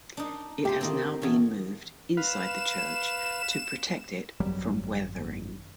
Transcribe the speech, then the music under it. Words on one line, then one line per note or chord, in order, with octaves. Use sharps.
It has now been moved inside the church to protect it from weathering.
D4 D#4
A3 G4 C5
D#3 A#3 C4
E2 A3 C#4
B4 F5 E7
G#1 F#2 F#3 G3